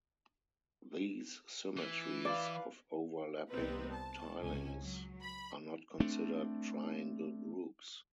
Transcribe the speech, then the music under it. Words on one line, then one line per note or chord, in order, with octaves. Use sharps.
These symmetries of overlapping tilings are not considered triangle groups.
E3
B4 D5 F5
C2 G3 B3 C4 D#4 B4
A5
C#2 C3 C#4 G#5
F#3
B5
A3 C4 D4